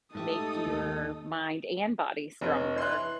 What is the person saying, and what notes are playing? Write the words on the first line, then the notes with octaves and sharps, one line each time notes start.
make your mind and body stronger,
G#2 A3 D#4 G4 A4 D#6
D#2
F1 C#5
E3 C6 F#6